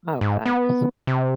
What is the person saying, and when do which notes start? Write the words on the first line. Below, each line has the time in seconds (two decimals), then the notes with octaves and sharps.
Oh, thanks.
0.21 G#2
0.46 B3
1.07 C3